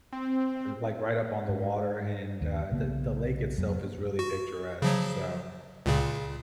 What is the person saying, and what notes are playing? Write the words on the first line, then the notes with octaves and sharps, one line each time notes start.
are, like, right up on the water, and, uh, the the lake itself is really picturesque, so
C4
G#2
D#2
B1 C#3 A#3 B3
F2 F#3 A#3
F#4
C#3 F3 F#3
C#2 A#2 C#3